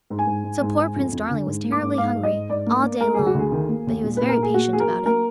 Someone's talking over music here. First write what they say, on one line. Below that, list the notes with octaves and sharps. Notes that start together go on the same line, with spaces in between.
So poor Prince Darling was terribly hungry all day long, but he was very patient about it.
G#2
G#5
G#2
G#2
G#2
G#2
F2
F2
D3
G#2
A#3
D6
G#2
G#2 F5
G#2
D#5
G#2
G#2 D5
A#3
A#3
G#3 A#4
D2 G#4
F#4
D2 G#4
D#3
A#3
D#2
A#2
A#2 B4
A#4
A#2
G#4
A#3 F#4
A#3 G#4
A#4
F#3
A#3 A#4